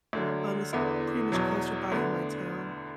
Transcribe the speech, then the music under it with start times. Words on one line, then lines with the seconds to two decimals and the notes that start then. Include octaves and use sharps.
Um, it's pretty much closer by in my town.
0.13 D2 D3 F#3
0.73 E2 D3 B3 E4
1.32 E2 B2 F#3
1.92 D2 D3 B3